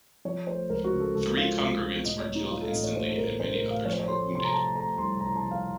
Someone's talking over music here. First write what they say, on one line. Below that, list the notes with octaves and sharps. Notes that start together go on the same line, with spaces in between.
Three congregants were killed instantly and many others were wounded.
F3 C#5
A3 C5
C#2 A#4
F#4
C#3
A4
C#2 A4
C#2 F4
C#2
C#2
A2 D#5
C#5
F#3
D#4
F#3 F4
A4
F5
A1 D#5
C#5
A2 C5
A4
A1 A#4
F#3 C5
A#4
A2
F5
F3 C#5
C5
C#5
A3 C6
C3 C6
A#5
A3 A5
A3 A#5
C2 C6
C2 A#5
A5
F3
F5